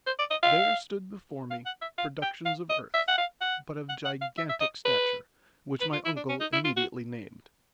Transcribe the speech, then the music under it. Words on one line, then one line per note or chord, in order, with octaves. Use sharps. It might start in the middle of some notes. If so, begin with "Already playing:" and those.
There stood before me productions of earth, but of gigantic stature, which my uncle immediately named.
C5
D5
D#5
F5
F5
F#5
E5
F5
G5
F5
D#5
E5
F#5
F5
F#5
F#5
F#5
F5
E5
E5
D#5
B4
B4
F4
E4
D4
C#4
D#4
E4
F4
F#4